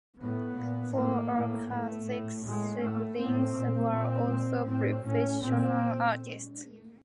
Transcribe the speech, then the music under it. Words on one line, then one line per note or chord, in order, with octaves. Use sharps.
Four of her six siblings were also professional artists.
A2 B3
A#2
A2 A#3
A2
A2 A3
A2
A2 G#3
A2 A3
A2 C4
A#2
A#2 C4
A#2
A2 C4
A2 C#4
A#2 C4